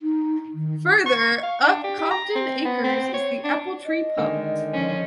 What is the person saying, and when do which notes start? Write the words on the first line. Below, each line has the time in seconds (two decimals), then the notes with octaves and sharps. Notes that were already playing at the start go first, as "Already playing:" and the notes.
Further up Compton Acres is The Apple Tree pub.
0.02 D#4
0.54 D#3
1.06 C#6
1.43 F5
1.64 D4
1.84 G4
1.98 G4
2.11 A#5
2.35 C4
2.65 B3
2.84 C4
3.14 C#5
3.44 D4
3.86 D#5
4.17 D3 D#3 G#3
4.72 F3 C#4